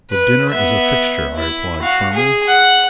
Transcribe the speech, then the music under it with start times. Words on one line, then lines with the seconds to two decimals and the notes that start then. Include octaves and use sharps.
"The dinner is a fixture," I replied firmly.
0.10 B4
0.50 B3 E5
1.36 E4
1.82 F#4 F5
2.14 G#4
2.48 F#5